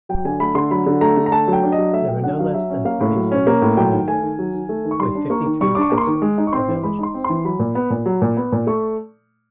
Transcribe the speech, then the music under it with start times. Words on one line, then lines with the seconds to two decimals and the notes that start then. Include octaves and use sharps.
There were no less than thirty-seven "Commanderies", with fifty-three castles or villages.
0.09 F#3 G5
0.25 D3 G#5
0.40 A3 B5
0.55 D3 C6
0.71 F#3 B5
0.86 D3
1.01 A3 A#5
1.17 D3
1.26 A#5
1.32 A3 A5
1.48 F#3
1.53 G5
1.63 D4
1.72 D#5
1.78 F#3
1.93 A3 E5
2.08 F#3 G5
2.23 D4 F#5
2.39 F#3 F5
2.54 F#3 E5
2.70 C#4
2.85 A#3 F5
3.01 A2
3.16 F#3
3.31 C#4
3.47 A#3
3.62 A2
3.77 F#3 G5
3.92 D#3
4.08 A3 G#5
4.23 D#3
4.39 F#3
4.54 D#3
4.69 A3
4.85 D#3
4.91 C#6
5.00 G3 C6
5.15 D4
5.30 A#3 C#6
5.46 D#3
5.61 G3 C#6
5.75 D4 D6
5.81 C#6
5.92 A#3
5.98 C6
6.01 C#6
6.07 D#3
6.22 G#3
6.38 D#4
6.47 C#6
6.53 C4 C6
6.68 E3
6.83 G#3 B5
6.99 D#4 C6
7.14 C4
7.24 E3 C6
7.45 F#3 B5
7.59 A#2
7.75 B3
7.90 A#2
8.06 F#3
8.22 A#2
8.37 B3
8.52 A#2
8.67 A3 C#6